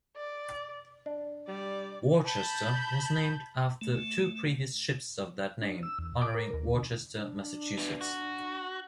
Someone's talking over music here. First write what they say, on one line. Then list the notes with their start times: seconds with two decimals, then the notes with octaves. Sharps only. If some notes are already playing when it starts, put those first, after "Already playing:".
"Worchester" was named after two previous ships of that name, honoring Worcester, Massachusetts.
0.16 D5
1.06 D4
1.48 G3 D5
2.26 A5 B5 G6
3.81 A3
5.62 D4
5.83 E6
5.99 E2
6.22 D6
6.35 A#4
6.53 D#2
6.75 D3
7.18 D4
7.78 B2 E3
8.01 F#4